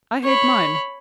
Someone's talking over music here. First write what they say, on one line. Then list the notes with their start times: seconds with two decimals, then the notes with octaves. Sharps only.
I hate mine.'
0.24 C#5 B5